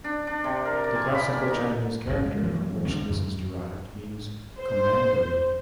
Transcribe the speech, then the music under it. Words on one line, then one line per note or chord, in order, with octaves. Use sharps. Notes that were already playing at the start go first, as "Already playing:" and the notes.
The Classical Chinese character from which this is derived means commandery.
D4
D4
C3
A#4
D5
G#5
B5
A#3
D#4
G1 A2 C#4
G#3
E3 F#3 A#3
D3 D#3 G#3 C4
F#2
C5